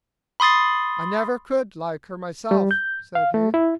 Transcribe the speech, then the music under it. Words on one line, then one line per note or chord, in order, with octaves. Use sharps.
'I never could like her myself,' said he.
B5 C6 D#6 A6 C7
G3
G6
F5
A3
E4